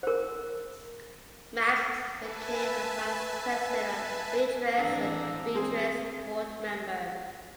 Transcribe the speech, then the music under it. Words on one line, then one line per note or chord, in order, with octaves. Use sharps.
Mack became a vice president of Beatrice and a Beatrice board member.
A#4 C5
B4 E5 G#5 A5
E3 A3 C4 D4 G#4 A#5 E6
G#3 C4 G#4